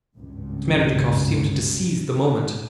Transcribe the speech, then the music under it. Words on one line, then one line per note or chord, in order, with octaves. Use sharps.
Smerdyakov seemed to seize the moment.
G#1 C#2 G2 C#3